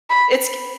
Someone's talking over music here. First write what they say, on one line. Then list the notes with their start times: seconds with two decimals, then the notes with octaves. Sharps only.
it's g
0.10 B5